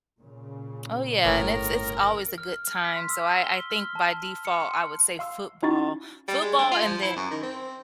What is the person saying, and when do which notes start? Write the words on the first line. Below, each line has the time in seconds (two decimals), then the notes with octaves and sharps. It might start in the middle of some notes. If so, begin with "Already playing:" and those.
Oh, yeah and it's it's always a good time so, I I think by default, I would say football. Football and then
0.20 A#2 C#3
1.25 G1 A2 A#4
2.38 F6
2.67 F6
2.85 B6
2.96 C6
3.10 E6
3.44 G7
3.70 F6
3.95 A5
4.45 C#7
4.61 C6
5.19 F5 C6 E6
5.63 C#4 D#4 E4 F#4 C#6 A6
6.28 G3
6.42 G#3
6.59 D4
6.71 F4
6.85 F3
7.02 E4
7.16 F#2
7.31 D#3
7.43 C4